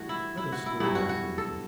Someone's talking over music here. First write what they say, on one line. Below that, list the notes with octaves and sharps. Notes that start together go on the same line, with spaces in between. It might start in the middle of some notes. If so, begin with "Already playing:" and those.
Let us go back a little.
Already playing: G2 E3 A3 F#4
E4
E4
F#4
E4
G2 F#3 B3 E4
F#4
F#4
A4